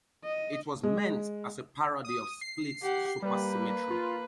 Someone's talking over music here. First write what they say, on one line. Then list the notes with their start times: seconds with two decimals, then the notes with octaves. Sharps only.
It was meant as a parody of Split Supersymmetry.
0.24 D#5
0.83 G#3
2.05 D#6
2.41 C7
2.82 G4 F#5
3.22 G3 A#3 B4
3.90 F4